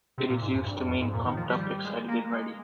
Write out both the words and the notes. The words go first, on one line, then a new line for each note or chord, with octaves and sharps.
It is used to mean pumped up, excited, and ready.
C3
A#2
G#2
F2
G2
G2
F2
G#2
A#2
D#3
F3
G3
G3
G#3
A#3
G#3